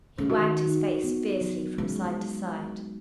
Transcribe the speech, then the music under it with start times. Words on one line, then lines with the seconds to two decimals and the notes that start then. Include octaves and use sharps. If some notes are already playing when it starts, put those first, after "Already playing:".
He wagged his face fiercely from side to side.
0.18 C#3
0.29 D#3 F#4
0.67 D#4
1.04 B3
1.41 F#3
1.78 C#3 G#3